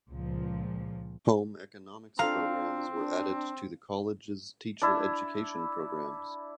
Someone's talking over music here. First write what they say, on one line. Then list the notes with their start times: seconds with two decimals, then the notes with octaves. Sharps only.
Home economics programs were added to the college's teacher education programs.
0.10 C#2 A#2 F3
2.19 C4 D4 F4 A4 F5 A#5
2.95 D4
4.82 D4 E4